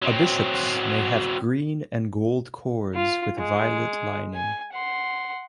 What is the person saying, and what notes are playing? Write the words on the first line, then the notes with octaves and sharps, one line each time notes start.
A bishop's may have green and gold cords with violet lining.
F#3 C4
F4
G#3
G#5
F#5 C6